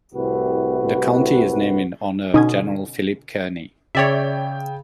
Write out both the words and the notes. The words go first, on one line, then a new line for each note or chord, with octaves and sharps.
The county is named in honor of General Philip Kearny.
C2 A2 C3 F#4 B4
B2 D3 C#4 D#4 D#6 G#6
C#3 C#5 D5 E5 G5